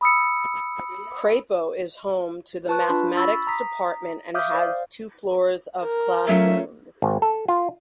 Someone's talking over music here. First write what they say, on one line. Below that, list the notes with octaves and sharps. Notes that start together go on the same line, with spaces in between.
Crapo is home to the Mathematics Department and has two floors of classrooms.
B5 D#6 E6 C#7
B4 A5 C#6 F#6
D4 F4 B5 C6
B5 C#6 E6 A6
A#5 D#6 B6
E5 F5 D6 D#6 F6 G6
C5 D5 F5
A#4
F#3 A3 C#4 F4 E5
G#1
A4
F4